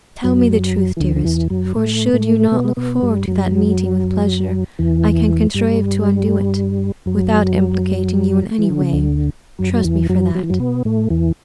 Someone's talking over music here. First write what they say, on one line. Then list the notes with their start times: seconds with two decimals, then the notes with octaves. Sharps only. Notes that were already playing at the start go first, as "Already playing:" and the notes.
Tell me the truth, dearest, for, should you not look forward to that meeting with pleasure, I can contrive to undo it without implicating you in any way; trust me for that.
0.24 F#2 F#3
0.97 E3
1.00 D2 D3
1.16 D3
1.25 E2 E3
1.50 F#2 F#3
1.76 A2 A3
2.13 A2 A3
2.52 B2 B3
2.77 B2 B3
3.02 G2 G3
3.28 F#2 F#3
4.79 E2 E3
5.54 G2 G3
7.06 F#2 F#3
8.58 E3
8.70 D3
8.81 C#3
8.93 D2 D3
9.59 F#2 F#3
9.74 F#3
9.84 E2 E3
10.09 F#2 F#3
10.35 F#3
10.43 E3
10.50 F#2 F#3
10.60 B2 B3
10.85 A2 A3
11.10 E2 E3